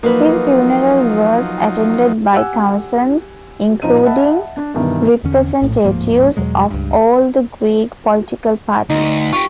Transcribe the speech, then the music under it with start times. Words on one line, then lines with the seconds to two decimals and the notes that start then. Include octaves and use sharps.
His funeral was attended by thousands, including representatives of all the Greek political parties.
0.03 F3 F#3 A#3 D#4 B4
2.33 G4 F#5 G#5 E6
3.82 A#1 F3 D#4 D#5 D#7
4.05 D#5 E5 F#5 A5 B5
4.57 D4
4.74 G2 B2 D#3 E3
5.24 E2 D3 C#4
5.62 A#1 A2
5.84 D1 G#2 F3 A#3
6.37 E2 B2 F#3 G#3
6.70 C#2 G2
8.90 D2 D#4
9.33 F4 G4 C#6